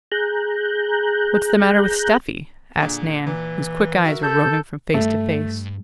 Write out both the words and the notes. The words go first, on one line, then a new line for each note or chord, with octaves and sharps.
"What's the matter with Stuffy?" asked Nan, whose quick eyes were roving from face to face.
G#4 A#5 F#6 G6
A#2 D3 G#4
A#2 E3
F#4 A#4 E5
A4 G6
G2 A3